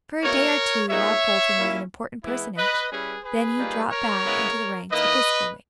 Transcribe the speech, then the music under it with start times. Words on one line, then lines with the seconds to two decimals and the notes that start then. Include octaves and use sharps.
For a day or two Rob Fulton was an important personage, then he dropped back into the ranks with his schoolmates.
0.23 B2 A#3 E4 A#4 C#5
0.89 A#2 G#3 B3 D#4 C#5 E5
1.57 A#2 A#3 C#4 E4
2.23 E3 G#3 B3 E4
2.57 B4 D#5
2.91 G3 C#4 E4 G#4 B4
3.24 G#4 B4
3.58 A#2 G3 A#3 D#4
3.91 A#4 C#5
4.24 C#3 G#3 B3 E4
4.92 D#3 A#3 E4 B4 D#5